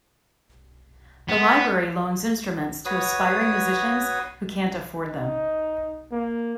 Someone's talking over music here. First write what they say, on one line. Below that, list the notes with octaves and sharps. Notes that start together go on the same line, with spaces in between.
The Library loans instruments to aspiring musicians who can't afford them.
B3
F#4 B4 C#5 D#6
D#4
A#3